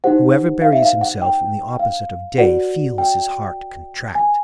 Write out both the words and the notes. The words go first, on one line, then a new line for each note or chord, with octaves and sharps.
Whoever buries himself in the opposite of day feels his heart contract.
D#4 G4 C5 F#5
F5
E5
F5
F#5
G5
F5
F#4 B4 D5 F#5
G5
G#5